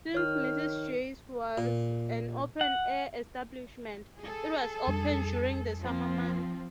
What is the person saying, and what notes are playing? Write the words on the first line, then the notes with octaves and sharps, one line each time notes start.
Since Mrs. Jay's was an open-air establishment, it was open during the summer months.
D#3 C#5 F6
A#2
F#5
G#4 A4
F2 G3 D4
F3 C4 F4